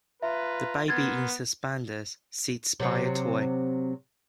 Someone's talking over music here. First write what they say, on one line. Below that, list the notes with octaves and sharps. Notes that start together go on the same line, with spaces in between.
The baby in suspenders sits by a toy.
F4 B4 E5 A#5
B3 A#4 C6 G#6 A6
C3 F#3 C4